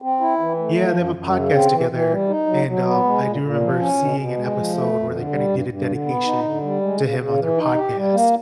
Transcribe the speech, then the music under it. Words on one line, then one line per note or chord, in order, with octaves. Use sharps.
Yeah, they have a podcast together and, um, I do remember seeing an episode where they kind of did a dedication to him on their podcast.
C4
E4
E3
A3
F3
F#2
F#2
C#3
C4
E3
E3
G3
D#4
F#3
F#3
B3
G#3
A#2
A#2
F3
C#4
B2
B2
G#3
F3
A3
F2
D3
G3
G2
G2
D3
B3
D#4
D3
G3
G#3
C#3
C#3
E3
D#4
G4
G3
A#3